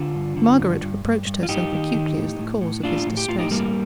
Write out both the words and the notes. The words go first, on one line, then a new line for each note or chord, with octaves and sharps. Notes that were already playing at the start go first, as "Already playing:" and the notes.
Margaret reproached herself acutely as the cause of his distress.
Already playing: D3 D4 F4
G2
D3
G2
G2
G2
G2
F4
G2 D#4 G4
D#3
D#3
A2
A2
A2
A2 D4 F4
A2
G4
A2 F4
D#4 G4
G2 G3 A#3